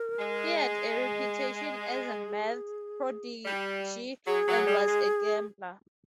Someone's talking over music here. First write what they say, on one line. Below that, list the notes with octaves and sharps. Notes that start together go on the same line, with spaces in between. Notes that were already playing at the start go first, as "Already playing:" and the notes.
He had a reputation as a math prodigy and was a gambler.
Already playing: A#4
G#3
G#4
G3
F#3 G#4
F#3
G3
G#3